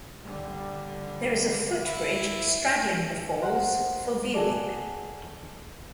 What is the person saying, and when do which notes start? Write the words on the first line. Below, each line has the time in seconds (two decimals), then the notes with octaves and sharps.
There is a footbridge straddling the falls for viewing.
0.25 D3 G3
1.84 E4
3.41 A#4 C5 F#5
4.34 F#4 G#4 A4 D5